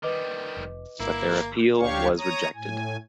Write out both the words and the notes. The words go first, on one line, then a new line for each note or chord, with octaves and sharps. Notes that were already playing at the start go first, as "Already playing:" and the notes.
But their appeal was rejected.
D#3 G3 B4 D#5 D6
F1
G1 A#3 E4
D2 D4 G4 C#5 F5 C#6
C#5 A#5 D#6
A2 G#5